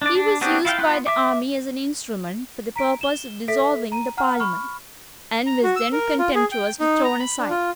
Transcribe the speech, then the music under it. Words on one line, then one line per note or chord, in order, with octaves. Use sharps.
He was used by the army as an instrument for the purpose of dissolving the Parliament, and was then contemptuously thrown aside.
D4 D5
D4
B3 C4 D4 F#4 G4
E4 F4 F5 G5
B3 F4 C6 F#6
E5 D6
A#5 B6 D7
E7 G7
A4 E5 B6
A#5 D#7
F#5 A#5 F6
B5 C#6 F6
A#5
F#4
E6
A#4
F4
G#4
G5
D#4
A#5
B5
D4
F4